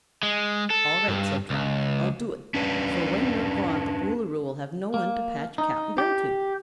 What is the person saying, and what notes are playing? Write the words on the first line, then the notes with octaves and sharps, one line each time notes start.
"All right," said Trot; "I'll do it; for when you're gone the Boolooroo will have no one to patch Cap'n Bill to."
G#3
A4
G2
C#2
C#4 D4 B4
A#3
D#4
G4